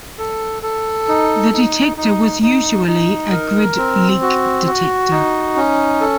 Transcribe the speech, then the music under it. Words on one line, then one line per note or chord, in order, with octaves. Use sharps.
The detector was usually a grid-leak detector.
A4
A4
D#4
D#4
D#4
D#4
D#4
A#4
C4
F#4
F#4
D#4
C#4
A4